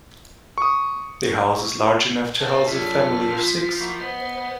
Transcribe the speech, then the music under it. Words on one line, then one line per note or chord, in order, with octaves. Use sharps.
The house is large enough to house a family of six.
C#6 D#6
B4 C5 E5 F5 A5
F#2 C#4 D4 F4 A4 B6
F3
A#3 E4 F#4
B3 B4 C5 D#5